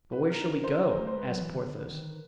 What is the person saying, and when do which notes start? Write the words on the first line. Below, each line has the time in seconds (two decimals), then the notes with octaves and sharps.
"But where shall we go?" asked Porthos.
0.12 B2 B4
0.29 C3 A#4
0.40 D3
0.47 C#3
0.63 D3 C5
0.81 D#3
0.90 C5
0.99 A3
1.07 C5
1.15 G#3 B4
1.28 F#3
1.41 E3
1.53 D3
1.67 D3
1.93 D#3